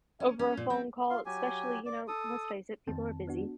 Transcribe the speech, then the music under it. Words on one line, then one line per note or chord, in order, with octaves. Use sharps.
over a phone call, especially you know, let's face it, people are busy,
C#4
C#4
A#2
C4
F4 F5 C6
F#3 G4 G#5
D5
A4 D#6
F2 D#3 C4 A5
B3 D4 F#4